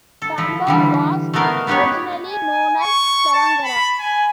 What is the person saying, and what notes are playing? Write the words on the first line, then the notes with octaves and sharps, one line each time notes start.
Tambo was originally known as Carrangarra.
A4
F3 E4
D3 E3 G3
A3 B3 D#4 A#4 F5
B3 D#4 G4 B4 C#5
G#5
C#6
A5
B5
G#5